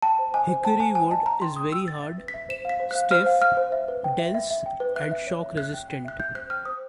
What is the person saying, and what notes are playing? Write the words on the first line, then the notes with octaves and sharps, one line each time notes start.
Hickory wood is very hard, stiff, dense and shock resistant.
G5 A5
C5
D#5 G#5
C5
G5 A5
C5 G#5
G5 G#5
D#5 A5
G5 A#5
G5 C6
G5 D#6
G5 E6
G5 A6
E5
B4
B6
E5
C5 E7
F5 B6
C5
F5 F#6
C5 F6
F5
F5 F6
C5
E5
B4
G5
E5
E5
E5
G5
B4
E5 F#6
E5
C#5
E5
E5 F#6
G5
G5
E5 F#6
E5 G6
C5 F#6
G5 F6
C5 D#6